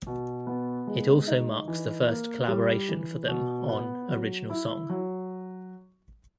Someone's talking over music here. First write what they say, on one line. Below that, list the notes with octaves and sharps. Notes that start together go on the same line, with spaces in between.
It also marks the first collaboration for them on original song.
B2
B3
G#3
D#4
E3
A#3
G3
E3
B2
B3
F#3
E4
F#3